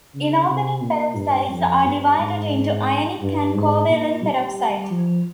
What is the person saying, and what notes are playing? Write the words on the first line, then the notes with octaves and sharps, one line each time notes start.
Inorganic peroxides are divided into ionic and covalent peroxide.
C#3
C3
A#2
G2
F2
G2
G#2
G2
G#2
A#2
G3
F3